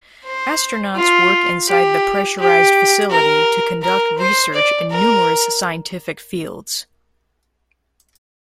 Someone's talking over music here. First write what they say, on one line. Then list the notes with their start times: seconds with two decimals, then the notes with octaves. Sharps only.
Astronauts work inside the pressurized facility to conduct research in numerous scientific fields.
0.24 C5
0.95 F4
1.68 G4
2.39 G4
3.10 A#4
3.82 A#4
4.18 C5
4.54 D5
4.90 A#4